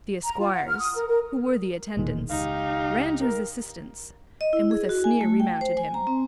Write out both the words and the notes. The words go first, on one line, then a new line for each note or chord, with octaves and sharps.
The Esquires, who were the Attendants, ran to his Assistance, and with a Sneer remounted him.
A#5
F4
F#5
F6
D#6
A#4
A#4
E1 A#2 D#3 G#3
C#2 D#4 G4 F5
A#4
D#5
E4
G#4
F#4
G#5
A3
G5
C5
G#5
A#5
C4